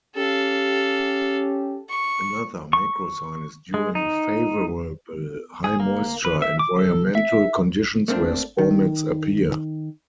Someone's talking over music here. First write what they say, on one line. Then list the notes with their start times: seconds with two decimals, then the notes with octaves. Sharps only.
Another macro sign is during favorable high moisture environmental conditions where spore mats appear.
0.16 C#4 G4 A4 F5
1.90 C#6
2.73 C#6
3.74 G#3
3.95 D#4
5.64 G#4
5.80 A#3
6.25 B4
6.42 E5
6.59 D6
6.79 A4
7.15 E5
8.08 A3 A#3 C4 D4
8.58 D#3